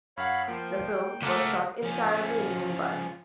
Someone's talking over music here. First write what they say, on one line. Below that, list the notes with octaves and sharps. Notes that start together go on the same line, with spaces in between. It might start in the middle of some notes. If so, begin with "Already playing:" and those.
The film was shot entirely in Mumbai.
F#2 C#5 F5 F#5 B5
F3 A#3 G5
C#2 A3 G#4 A#4 D5 F5 F#5
F3 C#4